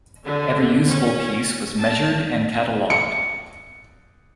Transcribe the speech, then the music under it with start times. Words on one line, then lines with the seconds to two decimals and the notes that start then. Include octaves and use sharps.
Every usable piece was measured and catalogued.
0.25 D3
0.87 C#4
1.80 A5
2.90 C#7